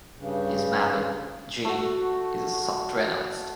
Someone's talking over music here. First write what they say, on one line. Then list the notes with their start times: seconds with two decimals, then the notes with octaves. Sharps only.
His mother, Jane, is a software analyst.
0.18 G2 C#3
1.65 A3 F#4